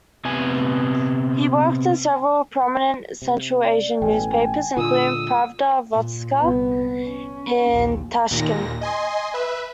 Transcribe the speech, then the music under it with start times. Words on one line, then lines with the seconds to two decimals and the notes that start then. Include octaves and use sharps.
He worked in several prominent Central Asian newspapers, including "Pravda Vostoka" in Tashkent.
0.25 C3 B3 G#5
3.22 C3
3.64 D5
4.02 A1 B2 A4 G5 G#5
4.33 G5
4.77 A#2 D3 G#3 F4 D#6 E6
5.91 A#2
6.40 C2 B3
7.04 C#4
7.71 A#1 D#2
8.30 D#2 A#2 A#6
8.81 D#5 G#5 C6
9.34 B4 E5